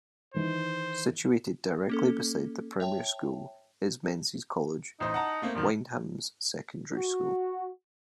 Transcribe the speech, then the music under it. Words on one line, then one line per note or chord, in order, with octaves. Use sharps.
Situated directly beside the primary school is Menzies College, Wyndham's secondary school.
D#3 E3 D#4 C5
A#3 C#4 A4
C#5 E5 G5 A5
A1 D#4 C5
F#5 A5 A#5
A3 A#3 C4
A#1 F#2 D#3 F3
F#4